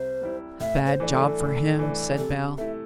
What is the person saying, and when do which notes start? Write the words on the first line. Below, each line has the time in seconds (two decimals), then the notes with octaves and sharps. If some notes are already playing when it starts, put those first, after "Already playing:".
"A bad job for him," said Bell.
Already playing: C2 C3 C5
0.22 C3 G3 E4
0.60 A2 E5
0.87 C5
1.00 E3 A3 D4
1.14 A4
1.40 A2
1.79 E3 A3 D4
2.18 C3 A4
2.58 A3 E4 E5